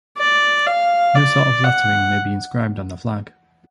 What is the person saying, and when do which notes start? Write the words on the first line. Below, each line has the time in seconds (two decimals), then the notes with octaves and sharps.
No sort of lettering may be inscribed on the flag.
0.17 D5
0.66 F5
1.15 D5
1.64 F#5